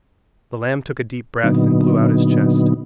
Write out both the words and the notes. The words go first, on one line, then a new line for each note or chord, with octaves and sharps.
The lamb took a deep breath and blew out his chest.
A#2 D3 F#3 B3 D#4